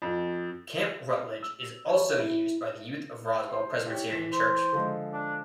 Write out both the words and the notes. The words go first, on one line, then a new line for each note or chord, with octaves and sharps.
Camp Rutledge is also used by the youth of Roswell Presbyterian Church.
F2
E6
C#5
E4
C5 C6
E4 G4 C#5
E3 B6 E7
C5
D3 F3 G#3
D4